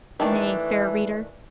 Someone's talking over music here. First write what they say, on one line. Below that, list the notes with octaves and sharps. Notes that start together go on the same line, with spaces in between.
Nay, fair reader.
D#3 E3 A3 D4